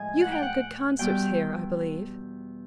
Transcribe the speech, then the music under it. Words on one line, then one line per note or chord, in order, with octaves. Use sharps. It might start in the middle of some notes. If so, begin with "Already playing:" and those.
'You have good concerts here, I believe.'
Already playing: A2 F3 G#3 D#5 G#5
F#5
G5
F#5
E2 B2 G3 B3 G5